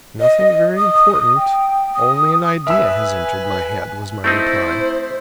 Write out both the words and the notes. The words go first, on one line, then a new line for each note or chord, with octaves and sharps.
"Nothing very important, only an idea has entered my head," was my reply.
D#5
D#6
G5
D#6
B4 E5 G#5 E6
A3 C4 D#4 E4 C5